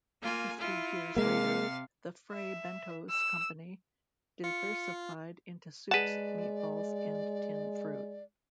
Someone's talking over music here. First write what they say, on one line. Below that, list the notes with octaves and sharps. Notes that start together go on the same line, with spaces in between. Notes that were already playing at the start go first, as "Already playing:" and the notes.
Fifty years later, the Fray Bentos company diversified into soups, meatballs and tinned fruit.
A#3 F4 G#5
E4 F4
C3 G#3 A#3 F5 A6
E5
E6
F4 C#7
G#3 G#4 B4 D5 F#5 A5